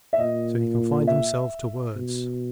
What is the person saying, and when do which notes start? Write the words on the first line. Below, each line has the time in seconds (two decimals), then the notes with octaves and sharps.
So he confined himself to words.
0.13 E5
0.19 A#2 D#5
1.07 E5
1.96 B2